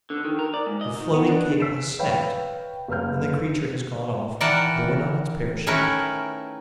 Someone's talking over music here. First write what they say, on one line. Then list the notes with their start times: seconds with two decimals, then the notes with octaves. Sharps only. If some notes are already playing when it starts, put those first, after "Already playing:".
The floating cable has snapped and the creature has gone off, borne on its parachute.
0.10 D3
0.24 D#3
0.39 A#4
0.54 D5
0.66 G#2
0.81 D#5
1.00 D#3
1.14 B3
1.29 D4
1.60 E6 B6 C7 D7 E7
1.99 B4 C#5 D#5 F5 G5 B5
2.88 F#1 A#3 B4 F6 G6
4.41 D#3 E3 A#4 D5 F#5 A5
5.67 D#3 A3 C#4 E4 A#4 B4